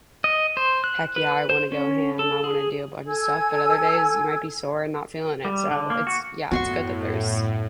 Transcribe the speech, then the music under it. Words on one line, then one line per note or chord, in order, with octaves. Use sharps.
"Heck yeah, I want to go ham, I wanna do a bunch of stuff," but other days you might be sore and not feeling it, so it's, yeah, it's good that there's
D#5
C5
F#6
B4
C5
C#4
A4
G#4
A4 G#5 E6 G#6
G3
D3
A#3
F#4
F#2 A2 B3 F#4 C6 C#6